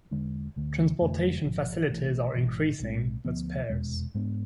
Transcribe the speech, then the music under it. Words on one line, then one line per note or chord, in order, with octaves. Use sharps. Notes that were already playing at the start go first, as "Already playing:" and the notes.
Transportation facilities are increasing, but sparse.
E2 D3 G#3 D4
D2 D3 A3
F1 F2 D3 A3
G#1 G#2 F3
A1 A2 E3
G#1 G#2 E3
B1 A2 G#3 C4
D2 D3 F3 B3
F1 E2 B2 G#3
G#2 G#3 B3 D4